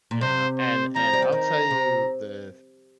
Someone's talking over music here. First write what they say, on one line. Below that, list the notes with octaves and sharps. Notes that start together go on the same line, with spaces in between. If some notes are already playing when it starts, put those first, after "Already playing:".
you know, and and I'll tell you the
A#2
C3 C5
C5
F3 A#5
G3
F3
D#3 A#5
C3